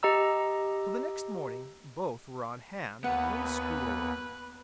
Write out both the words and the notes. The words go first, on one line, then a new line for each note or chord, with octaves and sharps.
So the next morning both were on hand when school opened.
G4 D#5 A#5 E6
D#2 B3 B4 F#5